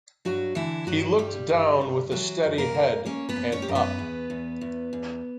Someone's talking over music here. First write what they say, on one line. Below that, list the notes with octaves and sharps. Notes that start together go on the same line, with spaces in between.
He looked down with a steady head, and up.
G2 F#3 F#4
D3 E3 E4
G2 F#3 F#4
G2 G3 G4
G2
G2
E3 F#3 F#4
F#2
A#3 A#4
A#3
A#3 C#4 C#5
B3 B4
F#2
C#4 C#5
G4
F#2 A#4
B3 B4
E2
E2
E2
E2